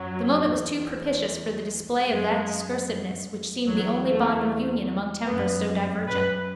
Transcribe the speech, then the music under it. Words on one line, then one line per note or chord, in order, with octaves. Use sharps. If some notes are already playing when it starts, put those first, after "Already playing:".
The moment was too propitious for the display of that discursiveness which seemed the only bond of union among tempers so divergent.
Already playing: F#2 F#3
E2
F#2 G#3
E2 F#3
A3
F#2 B3
F#2 B4